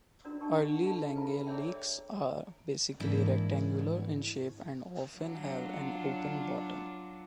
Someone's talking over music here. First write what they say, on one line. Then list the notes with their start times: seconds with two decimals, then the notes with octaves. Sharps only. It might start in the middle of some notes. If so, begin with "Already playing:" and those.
Early langeleiks are basically rectangular in shape, and often have an open bottom.
0.25 C#4 D4 E4 F#4 A#4 D5
0.41 D4 G4 D#5 G5 A5 C#6
0.65 E4 F#5
0.83 F4 A4 D#5 A5
1.16 A4 B4 E5 F5 A#5 B5
1.46 G#4 A#4 C#5 D5 E5 G5
3.00 G#2 E3 G#3 A#3 D4 E4
5.16 F#3 D4 F4